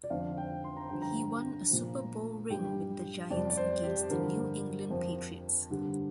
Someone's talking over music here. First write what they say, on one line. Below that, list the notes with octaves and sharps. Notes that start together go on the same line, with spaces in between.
He won a Super Bowl ring with the Giants against the New England Patriots.
D5
F2 D3 F3 F5
G5
C6
A#5
G2 D3 F3 G5
A#5
A#2 F3
G2 G3 G5
F2 C3 G3 D5
D5
C5
G4
G2 D3 F3 A#4
F2 F3
G2 D3 G3